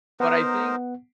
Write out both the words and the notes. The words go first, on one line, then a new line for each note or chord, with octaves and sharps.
But I think
B3 D#4 A#4 C5 F#5